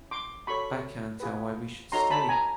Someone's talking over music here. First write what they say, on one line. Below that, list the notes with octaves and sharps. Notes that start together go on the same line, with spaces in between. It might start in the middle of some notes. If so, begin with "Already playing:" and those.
'I can't tell why we should stay.
Already playing: C#4 E4
C6 D6
F#4 A4 C#5 B5 C#6
F4 G#4 B4
D#4 F#4 A4 C#5 A#5 C6
A5 B5
G#5 A#5